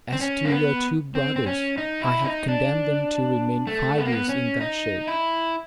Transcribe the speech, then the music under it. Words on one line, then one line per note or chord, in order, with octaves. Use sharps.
As to your two brothers, I have condemned them to remain five years in that shape.
C4
C#4
A#3
B3
C4
C4
C#4
D#4
E4
D#4
D4
A3
B3
A#3
B3
C#4
D#4
E4